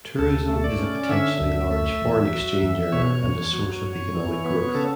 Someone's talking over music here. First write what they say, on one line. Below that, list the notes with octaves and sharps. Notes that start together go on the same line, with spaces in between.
Tourism is a potentially large foreign exchange earner and a source of economic growth.
D2 A4
A3
D5
C#4
D3 E5
D2
A3
E2
F#3
E2
B2 C#5
E2
F#3
F#2
E3
B3
C#3 A4